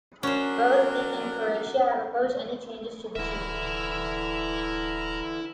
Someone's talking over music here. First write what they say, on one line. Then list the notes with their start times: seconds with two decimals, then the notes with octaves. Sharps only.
Both it and Croatia have opposed any changes to the treaty.
0.23 F#3 C#4 D4 A#4 C5
3.16 D1 D3 E3 E4 E5 A#5 F6